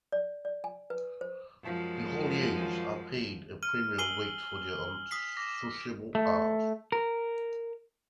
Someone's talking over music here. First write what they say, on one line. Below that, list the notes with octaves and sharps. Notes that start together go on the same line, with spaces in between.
The hauliers are paid a premium rate for their unsociable hours.
D5
D5
G#5
B4
C5
F#2 F3 G#3
F6 D#7
G#5 E6 C7 D#7 F#7 G7
G7
D#6 B6 C7
D6 A#6
A3
A#4